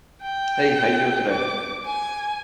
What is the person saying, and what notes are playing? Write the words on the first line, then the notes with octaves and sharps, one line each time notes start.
Hey, how you doing today?
G5
D6
G#5